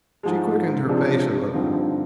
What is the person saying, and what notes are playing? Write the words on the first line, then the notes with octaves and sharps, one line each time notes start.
She quickened her pace a little.
G#2 F3 G#3
C3 F3 G#3 D4
G2 D3 F3 C4 D#4